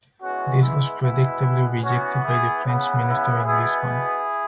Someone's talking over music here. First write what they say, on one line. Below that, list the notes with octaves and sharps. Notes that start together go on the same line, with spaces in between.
This was predictably rejected by the French minister in Lisbon.
E3 G#3 B3 C#4 F#4
E4
B2 G#3 B3 E4
E3 B3 C#4 F#4
E4 G#4
C#3 E3 B3
E4
B2 B3 E4 G#4
E4 G#4